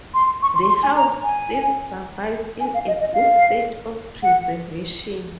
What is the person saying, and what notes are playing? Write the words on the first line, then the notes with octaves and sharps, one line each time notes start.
The house still survives in a good state of preservation.
C6
C#6
C6
C6
G#5
A#5
G#5
G#5
F5
D#5
D#5
F5
F#5